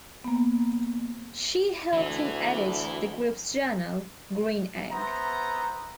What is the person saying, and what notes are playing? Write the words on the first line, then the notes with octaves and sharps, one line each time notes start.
She helped him edit the group's journal, "Green Egg".
A#3 B3
D2 E3
B3 C5 E5 A#5